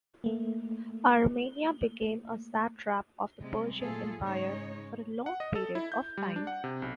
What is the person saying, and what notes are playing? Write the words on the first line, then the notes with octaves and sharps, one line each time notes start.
Armenia became a satrap of the Persian Empire for a long period of time.
A3 A#3
C3 G3 G#3
A#2 F#3 A3 F4 G#4 A4
G#2 C#3 G#3 D#4 C#5
F#5
D#5
A4
E4
G6
G3
D4
F#5
C3
B1